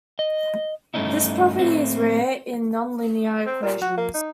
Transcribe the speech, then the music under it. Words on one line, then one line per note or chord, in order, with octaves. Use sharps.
This property is rare in nonlinear equations.
D#5
G2 A3 C#4 D#4 E4
A2 A3 C4
C4
A#2
F#4
A#3
D#4